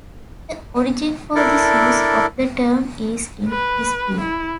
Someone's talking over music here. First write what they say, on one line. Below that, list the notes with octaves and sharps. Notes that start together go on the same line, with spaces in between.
The origin for this use of the term is in dispute.
D4 E4 A4 A#4 D5
B4
E4